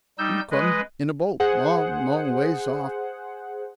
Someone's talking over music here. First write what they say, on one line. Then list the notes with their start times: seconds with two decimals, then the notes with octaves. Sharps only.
We've come in a boat, long, long ways off.
0.18 G3 D#4 E6 G6
0.51 G#3 B4 D#5
1.40 G#4 C5 F#5